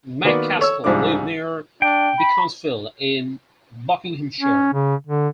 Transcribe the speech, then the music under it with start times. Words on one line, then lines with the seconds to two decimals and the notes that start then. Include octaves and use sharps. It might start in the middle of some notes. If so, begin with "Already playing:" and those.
McCaskill lived near Beaconsfield in Buckinghamshire.
0.24 D#3 A#3 B3 F#4 D5
0.59 A4 C#5 E6
0.84 C2 G#2 F3 G3 D4 D6
1.82 D4 G5
2.19 B5
4.41 C#4
4.74 C#3
5.07 D3